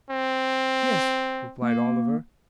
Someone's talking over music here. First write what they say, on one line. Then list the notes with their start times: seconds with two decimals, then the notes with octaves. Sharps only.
'Yes,' replied Oliver.
0.11 C4
1.62 A#3